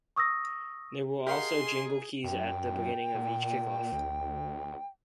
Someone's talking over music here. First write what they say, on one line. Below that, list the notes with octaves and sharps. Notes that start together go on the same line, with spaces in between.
They will also jingle keys at the beginning of each kickoff.
C#6 D#6 E6 A#6
G4 G#4 A#4 D#5 F5 F#5 C6
F#2 G5
A#2
D2